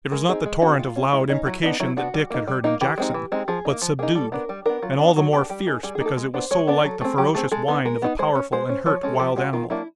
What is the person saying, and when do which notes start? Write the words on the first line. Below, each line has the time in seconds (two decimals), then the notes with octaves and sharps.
It was not the torrent of loud imprecation that Dick had heard in Jackson, but subdued, and all the more fierce because it was so like the ferocious whine of a powerful and hurt wild animal.
0.12 G#3 A#4
0.29 C4 D#4 G#4
0.46 G#3
0.62 C4 D#4 F#4
0.79 G#3 F4
0.96 C#4
1.13 G#3 E4
1.29 C#4 D#4
1.46 F#3 E4
1.63 B3 D4 D#4
1.80 F#3 E4
1.97 B3 D4 F#4
2.14 G3
2.31 A#3 D#4
2.48 G3
2.64 A#3 D#4
2.81 E3 G4
2.98 G#3 C4 D#4
3.14 E3
3.32 G#3 C4 D#4
3.48 F3 G#4
3.65 A#3 D#4
3.82 F3
3.99 A#3 D#4 G#4
4.15 G3 A4
4.32 B3 D4 A#4
4.49 G3
4.66 B3 D4 A#4
4.83 F#3 F4
4.99 B3 D4 F#4
5.16 F#3 F#4
5.33 B3 D4 G4
5.49 G3 G4
5.67 A#3 D#4 G#4
5.83 G3 G#4
5.95 G#4
6.00 A#3 D#4
6.06 A4
6.17 G#3
6.34 B3 D4 C5
6.51 G#3 C#5
6.67 B3 D4 D5
6.84 F#3 A4
7.01 A3 C4 G#4
7.18 F#3 G4
7.35 A3 C4 G#4
7.52 G#3 A4
7.68 B3 D#4
7.85 G#3 A#4
8.02 B3 D#4
8.19 G#3 C5
8.35 C#4
8.52 G#3 C5
8.69 C#4
8.86 F3 C#5
9.03 G#3 C#4 A4
9.20 F3 G4
9.36 G#3 C#4 F#4
9.53 D#3 F4
9.70 F#3 A#3 D4 E4